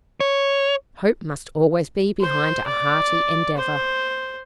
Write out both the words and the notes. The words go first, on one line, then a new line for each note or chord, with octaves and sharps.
Hope must always be behind a hearty endeavor.
C#5
C5
D5
C5